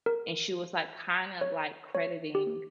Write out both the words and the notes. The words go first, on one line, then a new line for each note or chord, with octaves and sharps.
and she was like kind of like crediting,
A#4
C#5
C#5
G4